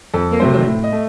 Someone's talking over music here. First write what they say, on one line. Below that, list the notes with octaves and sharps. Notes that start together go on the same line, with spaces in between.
"Very good."
F2 A4
C3 F#3 A3 C5
A2
D#5
A3